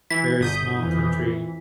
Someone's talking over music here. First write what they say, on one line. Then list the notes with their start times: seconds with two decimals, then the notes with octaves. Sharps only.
very small country
0.10 E3 B6
0.41 G1 D#6 G6
0.76 F2 E3